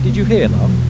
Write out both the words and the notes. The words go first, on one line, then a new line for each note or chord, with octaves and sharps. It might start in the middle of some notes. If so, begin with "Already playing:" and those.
Did you hear, love?
Already playing: C2 C3
A#3
A3
E2 B2 G#3
F#3